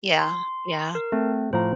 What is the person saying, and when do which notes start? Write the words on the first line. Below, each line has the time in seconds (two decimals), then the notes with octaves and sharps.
Yeah, yeah.
0.19 C6
0.95 A#4
1.12 A3 C4
1.53 A2 F3 C5 A#5